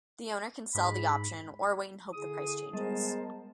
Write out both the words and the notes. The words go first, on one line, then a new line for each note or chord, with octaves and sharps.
The owner can sell the option, or wait and hope the price changes.
G#2 B5
D3 E4 G#4 D#6
G3 G#3 B3 A#4 C5 A5